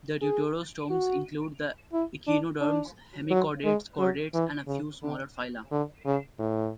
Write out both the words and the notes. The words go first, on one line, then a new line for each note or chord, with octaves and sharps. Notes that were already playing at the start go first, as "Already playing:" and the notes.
The deuterostomes include the echinoderms, hemichordates, chordates, and a few smaller phyla.
G#4
F#4
E4
D4
D4
F#3
G#3
F#3
E3
C#3
D3
D3
C#3
A2